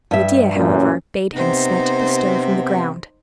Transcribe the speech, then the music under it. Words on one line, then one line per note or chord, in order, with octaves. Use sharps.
Medea, however, bade him snatch up a stone from the ground.
G2 E5
A1 F#2 A#2 C#4
C3 B3 D#4 C5